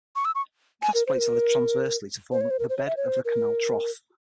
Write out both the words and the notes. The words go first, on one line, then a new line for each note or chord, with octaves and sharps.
Cast plates are laid transversely to form the bed of the canal trough.
C#6
E6
C#6
G#5
A#4
C5
A#4
C5
C#5
C5
A#4
C5
C#5
E5
C#5
C5
A#4